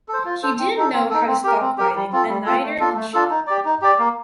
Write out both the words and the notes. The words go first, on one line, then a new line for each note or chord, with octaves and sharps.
He didn’t know how to stop fighting, and neither did she.
A4 C5
F4
A4 C5
C4
D#4 A4
C4
D#4 A4
C4
G4 A#4
C4
G4 A#4
G3
C4 F4 A4
G3
C4 F4 A4
A3
D4 F4 A4
A3
D4 F4 A4
D#4
G4 D5
D#4
G4 D5
A#3